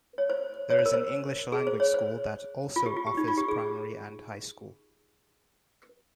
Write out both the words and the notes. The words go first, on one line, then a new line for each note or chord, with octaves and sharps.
There is an English language school that also offers primary and high school.
C#5
C5
C#5
C5
A#4
C5
G#4
C5
C#5
C5
F4
G4
F4
G4
D#4
F4
G4
G#4